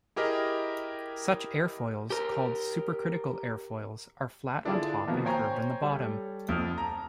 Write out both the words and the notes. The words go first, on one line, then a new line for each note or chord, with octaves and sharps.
Such airfoils, called supercritical airfoils, are flat on top and curved on the bottom.
E4 G4 G#4 A#4 D#5
G4 A#4
D3 D4 E4 F4 G#4
B2 D#3 F3 A#3 B3
C5 C#5 G5 G#5 A#5 C#6
G3 A4 C#5
F1 F2 F3 D#6 F6
A5 A#5